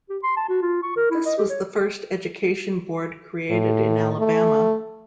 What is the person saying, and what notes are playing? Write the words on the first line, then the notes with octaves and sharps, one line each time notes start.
This was the first education board created in Alabama.
G4
C6
A5
F#4
F4
C#6
A#4
E4
D#5
G4
C#5
A2
A3